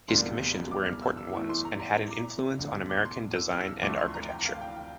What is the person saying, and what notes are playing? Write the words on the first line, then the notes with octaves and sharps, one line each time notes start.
His commissions were important ones and had an influence on American design and architecture.
E1 D2 D3 G3 A#3 C6
D6
F6
E6
E6
E2 E3 A3 E6
C6
A#5
A#5
A#5
D6
E1 D2 D3 F3
D6
C6
E6
F6
E6
D2 D3 F3 A3 D6
C6
A#5
G5
F5
G5
G5